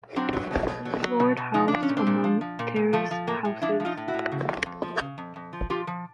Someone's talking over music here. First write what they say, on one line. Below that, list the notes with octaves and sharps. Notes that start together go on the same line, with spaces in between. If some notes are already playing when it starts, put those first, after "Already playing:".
Floored house among terraced houses.
F#3 C4 D4
F#3
B2
B2
F#3
F#3
B2
B2
F3 D#4
F3 D4
C#4
A#2
C4 D4
A#2
F3
F3
A#2
A#2
F3 A3
F3
A2 A#3
A2
F3 D4 E4
F3
D#4 F4
A2
E4 F#4
A2
C#3
F2
F2
F3
C#3
F2
F2
F3
F3 F4 G4
F3